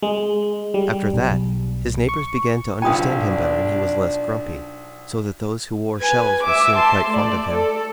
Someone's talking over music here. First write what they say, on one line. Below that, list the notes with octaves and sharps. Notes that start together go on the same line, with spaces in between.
After that his neighbors began to understand him better and he was less grumpy, so that those who wore shells were soon quite fond of him.
G#3
G3
B1
C#6
B1 F3 D4 G5 G#5 B5 D#6
B4 G#5
E5 D6
A5 C6
A3 D5
A4